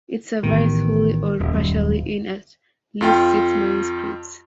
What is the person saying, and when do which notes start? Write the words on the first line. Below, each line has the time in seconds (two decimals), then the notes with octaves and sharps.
It survives wholly or partially in at least six manuscripts.
0.43 A1 A2 D#3 B3
1.40 D#1 F#2
3.01 F2 F4 G5